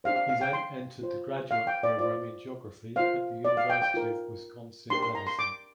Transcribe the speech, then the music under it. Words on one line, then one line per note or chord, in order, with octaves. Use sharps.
He then entered the graduate program in geography at the University of Wisconsin–Madison.
D4 G4 C5 F5
F5
F5
G5
C6
F4 C5
F5
G5
D5
F4 C5 D5
F4 C5 F5
D5
F5
G5
G5
F4 A#4
D4 G4 A#4 C6
C6
A#5
C6
D6